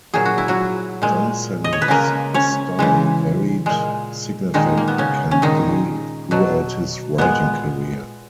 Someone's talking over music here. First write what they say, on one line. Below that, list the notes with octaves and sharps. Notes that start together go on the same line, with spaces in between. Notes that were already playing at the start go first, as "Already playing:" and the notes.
Dunsany's style varied significantly throughout his writing career.
A#2 F#3 G#4
F#4
E4
F#3 F#4
A#2 G#3
D#5
C#5
B4
C#3 G#3 A#3 A#4
C#4 C#5
C#3 E3 G#3
A#2 G#3
A#2 D#3 G#3 D#4
A#3
B3
C#3 C#4
C#4
A#2 D#3 G#3 D#4
B2 F#3
A#2 G#3 B3